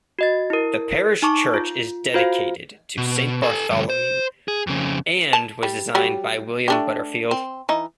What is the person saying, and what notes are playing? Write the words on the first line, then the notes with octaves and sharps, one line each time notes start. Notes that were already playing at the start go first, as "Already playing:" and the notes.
The parish church is dedicated to Saint Bartholomew and was designed by William Butterfield.
F#4 D#5 A6
E4 A#4
D#4 A5 C#6 D6
F4
F4 F#4 C5 F5
B2
A4 G#5
D2 G2
C5
G#4
F2 C#3
A5
G3
F#3 G3
A3 D4 G4
C4
E3 D#4